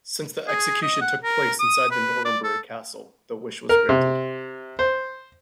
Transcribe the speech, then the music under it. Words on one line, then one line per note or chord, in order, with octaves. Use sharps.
Since the execution took place inside the Nuremberg Castle the wish was granted.
G#4
D#5
F#5
A#4
D#6
B4
D5
A4
A#4
C3
C5